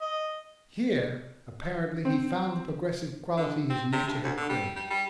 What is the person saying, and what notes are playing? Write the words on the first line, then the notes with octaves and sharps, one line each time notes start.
Here, apparently, he found the progressive quality his nature had craved.
D#5
C4
D3
C4
C3
G2
D2
D3
G3
G3
G3